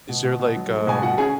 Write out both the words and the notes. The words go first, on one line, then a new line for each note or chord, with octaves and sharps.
is there like, um,
B2
B2
B2
F#3
A3
B2 G#5
B2 F#4 F#5
C#4 G#4 G#5